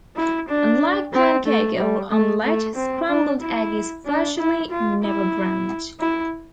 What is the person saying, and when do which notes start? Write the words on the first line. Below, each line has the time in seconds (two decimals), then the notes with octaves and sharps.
Unlike pancake or omelette scrambled egg is virtually never browned.
0.16 E4
0.48 D4
1.13 C4
1.46 A3
1.78 G3
2.11 A3
2.44 A3
2.75 C4
3.08 D4
3.41 E4
4.05 D4
4.38 E4
4.70 F4
5.04 E4
6.00 E4